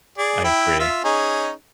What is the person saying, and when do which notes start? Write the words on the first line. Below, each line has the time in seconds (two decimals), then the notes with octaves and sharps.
I agree.
0.18 G#4 D5
0.44 E4 G5
0.80 F4 E5
1.04 C#4 D#4 G#4